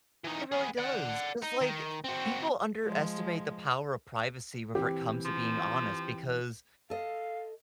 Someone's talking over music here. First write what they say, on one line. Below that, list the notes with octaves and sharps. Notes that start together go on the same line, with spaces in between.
It really does, 'cause, like, people underestimate the power of privacy whenever it comes to being honest because
E3 D#4
B3 G#4
D5 F#5
D#4
D#3
C4 F#4
F3 G#3
E3 C4 G4
F3
A4 D#5 F5